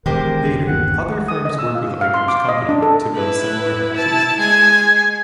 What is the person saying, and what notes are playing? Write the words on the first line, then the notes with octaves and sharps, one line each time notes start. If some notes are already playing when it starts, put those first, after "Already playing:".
Later, other firms worked with Eichler's company to build similar houses.
E1 D#3 G#3 G4 A#4 C5
G1 D#2 F#5
D#6
D#5
E6
F5
F5
C6
D6
D#5
D4
A4
E4 B4
E4 A5
G#3 G#5